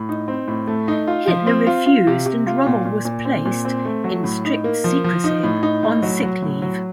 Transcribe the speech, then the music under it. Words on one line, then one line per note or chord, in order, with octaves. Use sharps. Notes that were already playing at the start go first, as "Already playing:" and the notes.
Hitler refused and Rommel was placed, in strict secrecy, on sick leave.
Already playing: A2
D#4
C4
A2
A3
D#4
F4
F3
C4
F4
F4
C3
C3
F4
A#2
A#2
A#2
C4
A#2
C4
A3
F#3
A2
D#4
A#3
F3
F3
D#4
A2
D#4
A2
F#3
F#3
A2
F#3